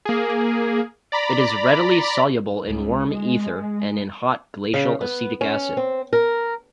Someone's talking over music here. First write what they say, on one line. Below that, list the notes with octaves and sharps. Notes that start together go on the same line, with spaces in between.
It is readily soluble in warm ether and in hot glacial acetic acid.
A#3 G#4
D5 A#5 B5
C#2
G#3
C#3
B3
C#4
C4
A#4